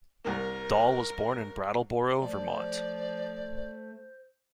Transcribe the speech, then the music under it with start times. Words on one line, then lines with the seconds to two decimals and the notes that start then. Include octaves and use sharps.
Dahl was born in Brattleboro, Vermont.
0.25 C2 A#3 A#4
2.20 F3 A3 C5 D5